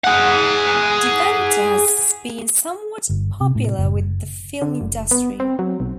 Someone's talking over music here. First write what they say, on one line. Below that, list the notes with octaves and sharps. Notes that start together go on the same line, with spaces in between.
Deventer has been somewhat popular with the film industry.
G#4 F#5
G1
C3
A2
F#1
D3
F#1
B3
C4
F#3
B1